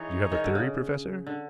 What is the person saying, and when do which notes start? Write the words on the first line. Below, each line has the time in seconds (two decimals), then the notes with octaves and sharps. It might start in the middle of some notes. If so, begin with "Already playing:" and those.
"You have a theory, professor?"
Already playing: E3 D#4 G#4 C#5
0.32 D#3
0.44 D3
0.55 C#3
1.27 D3